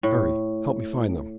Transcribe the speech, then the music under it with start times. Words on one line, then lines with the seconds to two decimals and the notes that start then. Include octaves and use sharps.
"Hurry, help me find them."
0.03 A2